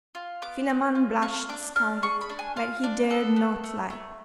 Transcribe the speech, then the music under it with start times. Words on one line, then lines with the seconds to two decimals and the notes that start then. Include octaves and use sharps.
Philammon blushed scarlet, but he dared not lie.
0.15 F4
0.42 B3 D6
0.69 B3
0.95 F4
1.22 F4 C#6
1.49 D4 D6
1.76 D4 F6
2.03 G#4 C#6
2.21 B5
2.30 D4
2.39 G#5
2.56 F4 F5
2.83 D4 D5
3.10 B3 A4
3.36 B3
3.64 A3
3.90 A3